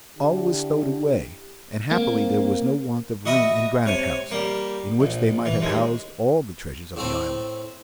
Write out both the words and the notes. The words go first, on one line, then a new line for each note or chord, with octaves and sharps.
All was stowed away, and happily there was no want of room in Granite House, in which they might have housed all the treasures of the island.
D3 E4 G4
A#3 C4
F#4 D#5 E5 B5 D#6
C3 C#5 G#5
G3 A#3
A#1
E3
D#2 G#3
A2 A3 C4